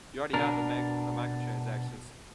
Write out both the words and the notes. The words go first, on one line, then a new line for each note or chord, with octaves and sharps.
you already have the meg the microtransactions,
B2 D4 A#4